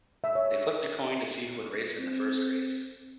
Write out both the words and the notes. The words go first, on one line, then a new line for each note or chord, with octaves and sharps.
They flipped a coin to see who would race in the first race.
E5
C#5
C4